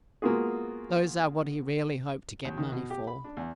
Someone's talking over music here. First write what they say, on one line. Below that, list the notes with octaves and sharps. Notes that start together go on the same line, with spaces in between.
Those are what he really hoped to get money for.
G#3 A#3 B3 F4 F#4 G#4
D#2
D#3
B2
G4
B5
D4
E2